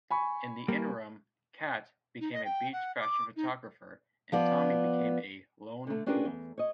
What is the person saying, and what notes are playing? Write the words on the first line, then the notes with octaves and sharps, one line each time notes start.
In the interim, "Cat" became a beach-fashion photographer, and Tommy became a "lone wolf".
G#5 B5 C#6
G3 A#3
D#4
D#5
G5
F#5
D6
D#4
F3 B3 D5
D3 A3
C#4 D4 F4 G4 A#4 B4
E2
C#5 D#5